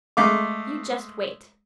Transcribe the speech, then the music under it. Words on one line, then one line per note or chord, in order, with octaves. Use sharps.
"You just wait!"
G#3 A3 F5 D6